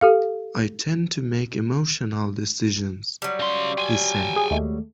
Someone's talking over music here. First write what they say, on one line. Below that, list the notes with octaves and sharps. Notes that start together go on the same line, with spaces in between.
"I tend to make emotional decisions," he said.
G4 A4 F5
F#3 G3
C#3 C6
G5 G#5 C6
G#4
D#2 G#3 A3